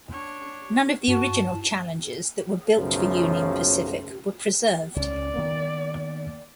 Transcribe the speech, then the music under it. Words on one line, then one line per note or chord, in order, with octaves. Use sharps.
None of the original Challengers that were built for Union Pacific were preserved.
D4 C#5
G2 F#4 A5
B1 F#2 C#3 F3 F#3 A3
C#2 C#4 D5
D#3 A#3 B3